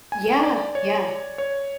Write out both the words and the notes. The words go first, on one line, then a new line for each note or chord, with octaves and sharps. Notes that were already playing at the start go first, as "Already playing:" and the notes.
Yeah, yeah,
G#5
D5
C#5
C#5